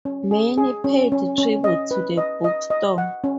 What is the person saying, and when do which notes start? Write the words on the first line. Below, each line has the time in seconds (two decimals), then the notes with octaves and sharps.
Many paid tribute to the bookstore.
0.05 C#4
0.31 G#4
0.58 G#4
0.84 C#4
1.12 C#4
1.38 C#4
1.64 D#5
1.91 B4
2.17 D#5
2.44 D#5
2.70 D#5
2.98 F#5
3.24 C#4